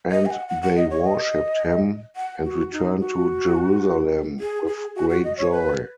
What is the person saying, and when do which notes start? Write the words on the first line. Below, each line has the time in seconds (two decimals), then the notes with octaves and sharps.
And they worshiped him, and returned to Jerusalem with great joy.
0.11 D#5
0.26 G#5
0.31 F#5
0.48 F#5
0.62 F#5
0.77 D#5
0.90 C#5
1.04 D#5
2.16 F#5
2.44 F#4
2.72 D#4
3.00 F#4
4.40 G#4
4.67 G#4
4.96 F#4
5.09 F#4
5.24 D#5
5.38 C#5
5.52 B4